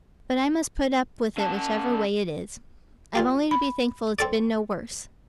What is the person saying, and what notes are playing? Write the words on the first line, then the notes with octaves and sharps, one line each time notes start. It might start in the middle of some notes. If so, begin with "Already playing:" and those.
But I must put up with it whichever way it is--I've only to be thankful it's been no worse.
C#3 A5
A#2 F4 G4
B5
C4 A4 D5